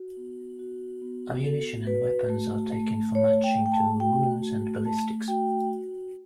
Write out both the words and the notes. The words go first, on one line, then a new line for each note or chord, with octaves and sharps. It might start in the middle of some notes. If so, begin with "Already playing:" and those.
Ammunition and weapons are taken for matching to wounds and ballistics.
Already playing: F#4
B3
F#4
B3
F#4 A4
F#4 B4
A3
A3
A3 C#5
G5
A3
G5
A5
F#4 G5
A3
A3 A5
F#4 G5
F#4